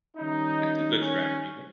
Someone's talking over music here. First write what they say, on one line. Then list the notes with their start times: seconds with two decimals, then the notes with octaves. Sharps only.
That's a good strategy, yeah.
0.17 D#3 G3 C#4 D#4
1.01 C#4